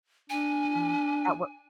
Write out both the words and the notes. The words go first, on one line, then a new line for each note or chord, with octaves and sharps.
Mhm. At what
D4 G#5